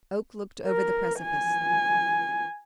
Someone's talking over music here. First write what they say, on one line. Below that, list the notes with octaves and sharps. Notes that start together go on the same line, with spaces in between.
Oak looked over the precipice.
A#4
G#5